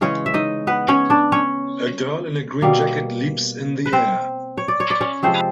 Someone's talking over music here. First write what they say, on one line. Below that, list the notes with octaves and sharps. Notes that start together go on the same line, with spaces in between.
A girl in a green jacket leaps in the air.
C#3 E3 G#3 C#4 C#5
E5
D#4 D#5
B3 B4
C#4 C#5
D4 D5
C#4 C#5
B2 G3 A#3
B4
C4 C5
C#5
D5
C#5
D5
C#4 C#5
C3 F3 G#3 C4 C5